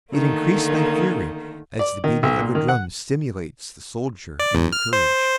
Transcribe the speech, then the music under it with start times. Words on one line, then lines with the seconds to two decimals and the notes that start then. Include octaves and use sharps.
It increased my fury, as the beating of a drum stimulates the soldier into courage.
0.11 D3 D#3 A3 A#3
1.79 D5
2.04 D#3
2.23 B1
2.39 A#2
2.55 D#3
2.69 F#5
4.39 D5
4.55 E2
4.72 F6
4.93 C5